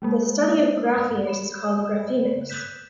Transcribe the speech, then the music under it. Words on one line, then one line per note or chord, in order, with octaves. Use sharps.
The study of graphemes is called graphemics.
F#3 G#3 A#3
C#5 B5 E7
F#6 G6 B6 E7